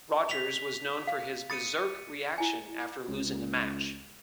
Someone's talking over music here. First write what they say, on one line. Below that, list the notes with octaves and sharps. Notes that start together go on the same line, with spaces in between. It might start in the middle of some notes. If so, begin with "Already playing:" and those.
Rogers was known for his berserk reaction after losing a match.
B6 F7
F5
B5 D#6 A6 C#7 D#7
E4 G#5
C#2